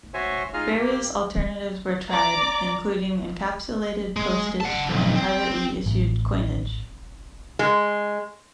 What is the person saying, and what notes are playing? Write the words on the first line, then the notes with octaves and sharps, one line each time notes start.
Various alternatives were tried, including encapsulated postage and privately issued coinage.
F#4 C5 C#5 E5 G#5 C#6
D#4 F4 G#4 D#5 F5 F6
A#3 G4
D5 A#5 D6
G#3
F#5 A5
B1 F2
C4
A1
G#3